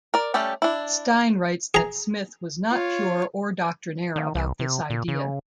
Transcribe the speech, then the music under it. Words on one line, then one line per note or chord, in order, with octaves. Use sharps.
Stein writes that Smith was not pure or doctrinaire about this idea.
A#4 D5
G3 A3 C#4 G4 A4
D4 E4
G#4 A#5
F4 C#5
D#3
C2
C3
A#2
C#3